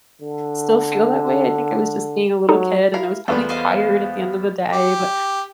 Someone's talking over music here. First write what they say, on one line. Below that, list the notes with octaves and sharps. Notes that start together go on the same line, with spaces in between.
still feel that way. I think I was just being a little kid and I was probably tired at the end of the day. But,
D3
F#3 D#4 A4
E4 A#4 F5
E2 G3 B3 F4 A4
C5 D#5 F5
G4